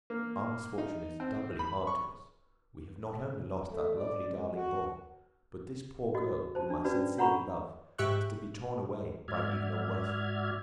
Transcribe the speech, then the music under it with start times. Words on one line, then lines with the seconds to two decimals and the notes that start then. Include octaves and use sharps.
Our misfortune is doubly hard to us; we have not only lost that lovely darling boy, but this poor girl, whom I sincerely love, is to be torn away by even a worse fate.
0.10 A#3
0.78 D#4
1.20 C4
1.59 B5
1.87 C#6
3.69 A3
3.96 D5
4.30 G#3
4.55 F#4
6.15 F#4 D#5
6.55 C5 A5
6.70 D4
6.85 C#4 F#4 B4 D5
7.18 C#5 F#5 A#5 B5 C#6
7.98 G#2 G4 E5 C#6 F#6
9.28 G#2 F#4 D5 E5 F6 G#6